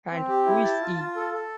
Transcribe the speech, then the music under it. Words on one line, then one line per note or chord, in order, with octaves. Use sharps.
And who is he?
C4
G4
E4
A5
F4
F4
A4
A4